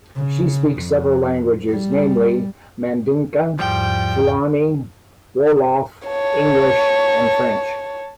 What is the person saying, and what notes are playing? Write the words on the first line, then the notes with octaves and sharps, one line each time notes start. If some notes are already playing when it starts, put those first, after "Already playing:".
She speaks several languages, namely: Mandinka, Fulani, Wolof, English and French.
C#3
F2
G3
E2 G#2 F3 G3 G5 C6
C#5 A5